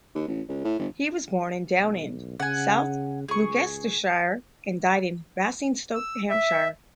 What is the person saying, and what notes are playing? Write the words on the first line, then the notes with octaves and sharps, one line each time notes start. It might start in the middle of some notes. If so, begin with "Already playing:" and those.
He was born in Downend, South Gloucestershire and died in Basingstoke, Hampshire.
D#2
A1
C#2
A2
G1
B1
C#3 F#5 G#5
C#2 G#4 C#6
E6
E5